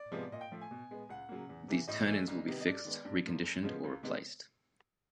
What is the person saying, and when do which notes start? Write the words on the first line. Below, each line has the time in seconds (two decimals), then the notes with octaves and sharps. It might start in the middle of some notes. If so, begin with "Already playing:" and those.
These "turn-ins" will be fixed, reconditioned, or replaced.
Already playing: D5
0.12 C3 F3 G#3 B3
0.32 A#2 D#5
0.41 G5
0.52 F3 A3
0.61 G#5
0.71 B2
0.91 G#3 B3
1.09 C#2 F#5
1.29 C#3 F#3 A#3
1.49 E2
1.68 C3 E3
1.88 A2 D#5
2.07 E3 A3
2.27 C2
2.47 C3 D#3 G3 B3
2.61 D#5
2.66 G2 D5
2.85 D#3 G#3 B3
3.05 G2
3.24 D3 F3 A#3
3.43 F#2
3.63 C#3 F3 G#3 B3
3.84 C#2
4.03 C3 D#3 G#3 B3